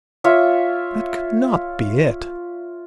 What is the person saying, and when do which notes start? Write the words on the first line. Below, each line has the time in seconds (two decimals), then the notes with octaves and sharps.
That could not be it.
0.24 F4 C#5 E5